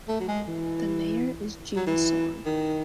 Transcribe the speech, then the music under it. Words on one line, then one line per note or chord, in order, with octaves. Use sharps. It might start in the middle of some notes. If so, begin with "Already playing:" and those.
The mayor is Jeanne Sorg.
A3
F#3
G#3
E3
F#3
E3
D#3